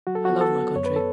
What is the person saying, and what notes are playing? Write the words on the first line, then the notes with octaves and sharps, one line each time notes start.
I love my country.
F#3 F#4
A4
B3 F#4
A4
B3
F#2 C#5
B4
A4